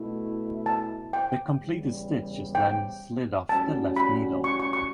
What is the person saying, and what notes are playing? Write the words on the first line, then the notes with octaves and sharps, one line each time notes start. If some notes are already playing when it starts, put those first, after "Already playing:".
The completed stitch is then slid off the left needle.
Already playing: B2 A3 E4
A5
G5
E2 C#3 G3
G5
A2 G3 C#4 F#4 A5
B5
C#6
C#6
C#6